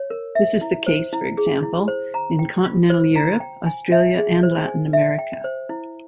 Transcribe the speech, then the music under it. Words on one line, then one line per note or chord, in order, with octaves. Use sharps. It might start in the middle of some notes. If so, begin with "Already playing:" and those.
This is the case, for example, in continental Europe, Australia and Latin America.
Already playing: C#5
A#4
E5
E4
C5
E4
G#4
E4
C5
A#5
G5
F4
C5
A#5
G5
G#5
E5
G#4
C5
G#5
E5
G5
C5
E4